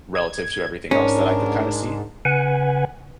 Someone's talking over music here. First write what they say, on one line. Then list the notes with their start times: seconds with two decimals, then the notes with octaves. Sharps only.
relative to everything else that I could kinda see,
0.15 G#6
0.91 G#2 C#4 D4 A#4
2.25 C#3 B4 F#5 G#5